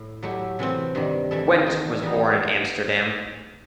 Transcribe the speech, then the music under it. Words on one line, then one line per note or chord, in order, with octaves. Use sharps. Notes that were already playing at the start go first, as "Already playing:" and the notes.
Went was born in Amsterdam.
Already playing: A2
F#3 A3 E4 G4
C3 E3 A3 C4
G2 D#3 G3
E3 A3 E4 A4
E2 D#3 A3 D#4
E3 G3 B3 D#4